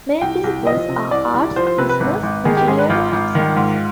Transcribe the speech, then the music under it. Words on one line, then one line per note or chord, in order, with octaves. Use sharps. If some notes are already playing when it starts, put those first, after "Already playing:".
Main disciples are arts, business, engineering and science.
C2 G5
C2
F3 D#5
C3
C2 D5
C2
F3 C5
C5
C3 B4
B4
G#1 B4
G#1
D#3 G#4
G4
G#2 G#4
B4
G#1 F4
G#1
D#3
G#2